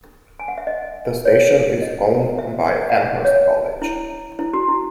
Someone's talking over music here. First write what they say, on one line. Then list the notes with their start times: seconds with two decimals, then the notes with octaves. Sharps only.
The station is owned by Amherst College.
0.39 G#5
0.48 F#5
0.58 E5
0.67 D#5
1.25 C#5
1.82 D#5
2.39 E5
2.89 F#5
2.97 E5
3.25 C#5
3.82 E4
4.39 E4
4.53 F#4
4.68 E4